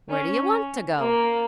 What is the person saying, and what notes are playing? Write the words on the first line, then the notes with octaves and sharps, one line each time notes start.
"Where do you want to go?"
C#4
A#3